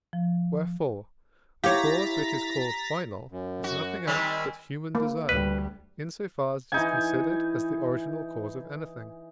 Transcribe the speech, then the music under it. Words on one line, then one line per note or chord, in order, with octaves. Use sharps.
Wherefore, a cause which is called final is nothing else but human desire, in so far as it is considered as the origin or cause of anything.
F3
E4 G4 C#5 F5 A#5 D6 A6 B6
F#2
F#4
D#3 G3 C4 G#5 B5 E6
A#3
D2 G3 B4
E3 D#4 G#5